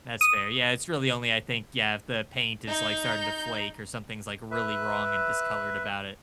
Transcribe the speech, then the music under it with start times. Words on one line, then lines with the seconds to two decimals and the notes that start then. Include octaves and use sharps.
That's fair. Yeah, it's really only, I think, yeah, if the paint is, like, starting to flake or something's, like, really wrong and discolored about it.
0.21 D#6
2.68 D#4 G6
4.51 B4 E5